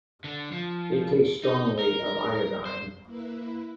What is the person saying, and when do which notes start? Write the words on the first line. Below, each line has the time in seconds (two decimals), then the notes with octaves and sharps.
It tastes strongly of iodine.
0.24 D3
0.52 F3
1.43 D#4
1.79 A#4
2.66 C5
3.05 A#3 E4 B4